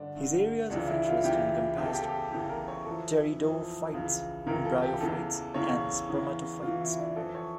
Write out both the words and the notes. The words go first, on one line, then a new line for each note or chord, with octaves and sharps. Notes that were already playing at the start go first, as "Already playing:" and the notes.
His areas of interest encompassed Pteridophytes, Bryophytes and Spermatophytes.
Already playing: G2 D3 D4
G2 D3
C#2 C#3 E3 D4
E4
F4
C#2 C#3 E3 G4
E2 C#3 E3 G4
A4
G4
A4
G4
E2 C#3 E3 G4
A#4
C#5
F2 E3 A4
F2 E3
C#2 C#3 E3
C#2 C#3 E3 A#4
A4
G4
E2 C#3 E3 A4
E2 C#3 E3 C#5
E2 C#3 E3
E2 C#3 E3 F4
E4
D4
F2 E3 A4
C#5